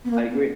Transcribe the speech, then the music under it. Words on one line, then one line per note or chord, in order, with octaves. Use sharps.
I agree.
B3
A#3
B3